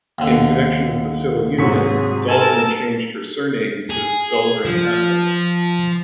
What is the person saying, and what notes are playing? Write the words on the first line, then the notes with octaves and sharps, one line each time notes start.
In connection with the civil union, Dahlgren changed her surname to Dahlgren-Attling.
D#2 D3
G#2 C3 F#3 G#4 C#6 B6
A4 A#4 G#5 A5 E6
G#4
F3